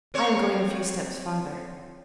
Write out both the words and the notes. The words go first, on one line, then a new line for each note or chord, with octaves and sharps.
"I am going a few steps farther."
C4 C#5